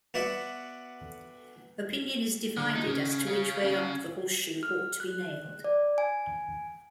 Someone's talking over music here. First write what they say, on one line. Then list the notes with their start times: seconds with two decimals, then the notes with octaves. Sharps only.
Opinion is divided as to which way up the horseshoe ought to be nailed.
0.14 B3 F#4 D5 E5 F#5
2.57 D3
2.75 D#4
2.87 C#3 C#4
3.28 C#5 F5
3.64 C#4 F5
4.63 F6
5.00 F#6
5.64 D5
5.98 G#5